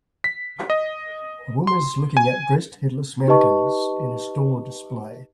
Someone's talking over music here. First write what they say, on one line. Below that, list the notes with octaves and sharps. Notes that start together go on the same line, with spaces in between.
A woman is looking at dressed, headless mannequins in a store display.
B6
D#5
C6
G#5
D#4 G4 B4 D#5 A5 C#6